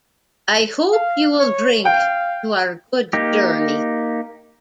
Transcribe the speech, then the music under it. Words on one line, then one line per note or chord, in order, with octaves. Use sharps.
I hope you will drink to our good journey.
F5
C#5
F5 G5
A#3 D#4 G4